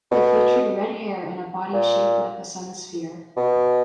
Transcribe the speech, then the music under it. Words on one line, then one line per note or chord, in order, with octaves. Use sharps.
It featured red hair and a body shaped like the Sunsphere.
B2
A#2
B2